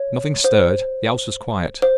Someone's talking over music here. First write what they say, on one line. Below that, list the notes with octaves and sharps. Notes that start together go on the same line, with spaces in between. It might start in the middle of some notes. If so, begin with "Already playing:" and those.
Nothing stirred--the house was quiet.
Already playing: C#5
C5
C5